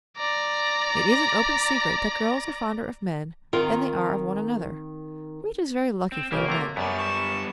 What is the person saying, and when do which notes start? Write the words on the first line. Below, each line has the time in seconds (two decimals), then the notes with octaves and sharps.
It is an open secret that girls are fonder of men than they are of one another--which is very lucky for the men.
0.18 D5 A#5
3.53 D#3 C4 F4 A#4
6.12 C4
6.32 B1 C#3 A#3 F#4 G4
6.48 C3 A3 A#5
6.77 F#2 G3 B3 C#5 D5
6.98 A5 C#6